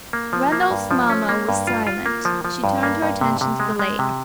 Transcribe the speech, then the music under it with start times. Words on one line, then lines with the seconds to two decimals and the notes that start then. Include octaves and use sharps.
Randolph's mamma was silent; she turned her attention to the lake.
0.13 A#3
0.33 F3
0.52 A#3
0.71 G2
0.91 F3
1.10 C#4
1.29 A#3
1.49 G2
1.67 F4
1.87 F4
2.06 A#3
2.25 F3
2.45 F3
2.64 G2
2.83 A#3
3.02 G2
3.21 C3
3.41 C3
3.60 G#3
3.79 G#3
3.99 C3